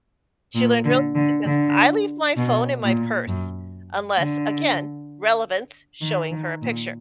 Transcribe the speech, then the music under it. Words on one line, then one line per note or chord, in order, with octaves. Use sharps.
She learned real quick, because I leave my phone in my purse, unless, again, relevance, showing her a picture,
A#2
D3
D3
D3
B2
A#2
F#2
D3
D#3
D#3
A#2